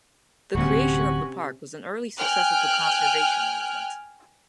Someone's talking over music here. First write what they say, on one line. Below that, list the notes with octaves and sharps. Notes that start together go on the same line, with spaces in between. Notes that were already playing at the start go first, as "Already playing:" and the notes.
The creation of the park was an early success of the conservation movement.
D1 C3 C#4 F#4
G5 G#5 F6 F#6